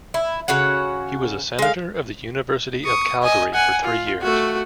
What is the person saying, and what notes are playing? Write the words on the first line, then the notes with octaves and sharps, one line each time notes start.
He was a Senator of the University of Calgary for three years.
E4
C#3 F#4 C#5 F#5
G#3 F5
C#6 D#6
D#5 G#5
F#5 G#5
F4
A3 F#4